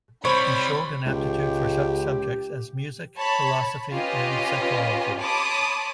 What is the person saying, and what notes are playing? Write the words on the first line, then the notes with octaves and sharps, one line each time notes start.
He showed an aptitude for such subjects as music, philosophy and psychology.
C3 G3 C4 C#5 B5
C#2 G4
C#5 A5 B5
C#4 F4 G4 B4 D#5 G#5
C#5 A5 B5 C6 D6 D#6